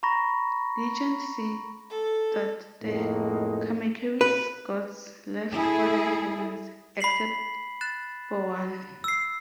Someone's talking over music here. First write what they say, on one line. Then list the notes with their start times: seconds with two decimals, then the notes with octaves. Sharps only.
Legends say that the Kamekeri's gods left for the heavens, except for one.
0.03 A#5 B5 C#6 A#6
1.90 A4
2.83 F2 A2 G#3 A#3 D#4
4.21 B4
5.52 E4 G#4 A4
7.00 B5 B6 C7 F#7
7.81 F#6 A6 E7
9.04 E6 C7